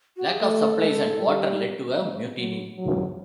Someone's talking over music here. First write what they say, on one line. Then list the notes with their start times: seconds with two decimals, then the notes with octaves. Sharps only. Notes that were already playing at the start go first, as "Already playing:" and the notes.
Lack of supplies and water led to a mutiny.
0.17 F#4
0.25 G4
0.32 G#4
0.40 A3 A4
0.80 G#3
1.20 G3
1.99 G#3
2.38 F#3
2.78 F#3